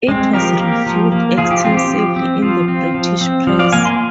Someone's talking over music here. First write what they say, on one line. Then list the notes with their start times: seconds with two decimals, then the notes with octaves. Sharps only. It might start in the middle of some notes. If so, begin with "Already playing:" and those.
It was reviewed extensively in the British press.
0.08 G#3 C4
0.33 F3 G4 A#4
0.60 A#3
0.86 F3
1.12 A#3
1.38 F3 F4 G#4
1.51 G4
1.65 C4 F4
1.77 G4
1.90 F3
2.16 C4
2.42 F3 F4
2.68 C4
2.94 F3
3.21 C4
3.47 F3
3.59 D5 F5
3.73 A#3 F5 G#5
3.85 G#5 C6